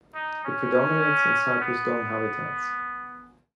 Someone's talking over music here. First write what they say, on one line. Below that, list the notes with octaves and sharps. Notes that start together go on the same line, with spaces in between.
It predominates in cypress dome habitats.
D#4
C#4
B3